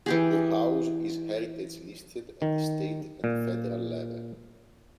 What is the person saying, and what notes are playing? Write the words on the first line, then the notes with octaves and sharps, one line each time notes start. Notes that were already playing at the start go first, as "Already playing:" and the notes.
The house is heritage-listed at the state and federal level.
E3 G4 G#4
D#3
A#2